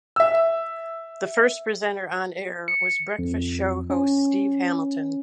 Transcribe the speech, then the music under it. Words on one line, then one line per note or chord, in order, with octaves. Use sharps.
The first presenter on air was breakfast show host Steve Hamilton.
E5 E6
C#7
F2
C#4